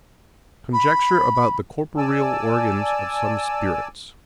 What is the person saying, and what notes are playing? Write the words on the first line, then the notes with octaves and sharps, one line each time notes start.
Conjecture about the corporeal organs of some Spirits.
B5
D5 G#5 A5 E6